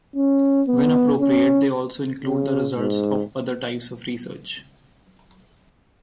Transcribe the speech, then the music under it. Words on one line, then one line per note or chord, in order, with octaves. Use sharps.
When appropriate, they also include the results of other types of research.
C#4
B3
C#4
C#3
G#2